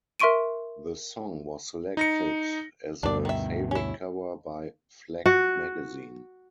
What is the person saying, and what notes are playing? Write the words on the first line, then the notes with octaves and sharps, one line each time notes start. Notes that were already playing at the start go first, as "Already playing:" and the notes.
The song was selected as a favourite cover by Flak Magazine.
A#4 E5 C6 C#6 D7 D#7
D#4 A#6 C#7
D2 G2 B2 D4 D5
D#3 E5
C#4 E4
F#4